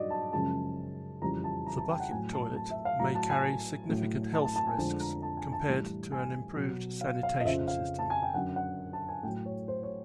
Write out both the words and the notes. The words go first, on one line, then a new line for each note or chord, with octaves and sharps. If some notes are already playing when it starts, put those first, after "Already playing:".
The bucket toilet may carry significant health risks compared to an improved sanitation system.
Already playing: G2 D#3 F#3 F#4 D5 D#5
A5
F#2 C#3 F3 G#3 A5
F2 C#3 E3 G3 A#5
A5
A#5
A5
G5
F#5
A2 F#3 G#5
A5
A5
E5
F5
A2 F#3 A#5
A5
G#5
A2 F#3
A5
A5
A5
G#5
F2 D3 F3 G#3 A5
A#5
A5
G#5
A5
A2 E3 G3
G#5
B2 F#3
F5
F5
D#5
F2 C#3 F3 E5
F5
A5
G#5
G5
F#2 D3 F#3 F#5
F#5
A5
G#5
A2 F#3 G5
C#5
C5
C#5